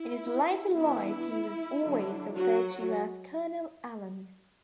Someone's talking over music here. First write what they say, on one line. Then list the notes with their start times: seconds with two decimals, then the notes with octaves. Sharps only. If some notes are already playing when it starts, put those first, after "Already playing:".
In his later life he was always referred to as Colonel Allen.
Already playing: E4
0.75 E3 B3 D4 E4
1.83 D3 F#3 D4
2.37 F#3 F#4